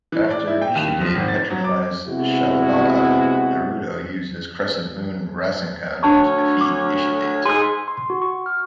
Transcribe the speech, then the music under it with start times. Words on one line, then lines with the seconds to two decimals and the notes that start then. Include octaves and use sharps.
After Ishidate petrifies Shadabada, Naruto uses the Crescent Moon Rasengan to defeat Ishidate.
0.12 E3
0.31 D5
0.47 E4
0.62 G5
0.75 D#2
1.01 F3
1.15 G#1
1.28 A6
1.50 F#3
1.64 D6
2.08 C3 G#3 B3 E4 F#4
6.03 D2 D4 C#5 A5 C#6
6.61 D6
7.46 G#2 G#3 G#4 C6 E6
7.88 C6
8.10 F#4
8.22 C#6
8.46 F6